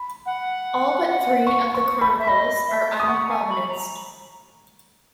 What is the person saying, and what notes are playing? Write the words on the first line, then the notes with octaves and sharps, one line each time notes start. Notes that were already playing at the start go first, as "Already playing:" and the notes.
All but three of the chronicles are unprovenanced.
Already playing: B5
F#5
C#6
C#6
B5
E5
D#5 B5
E5
D#6
F#5 C#6
A#5
G#5
B5
A#5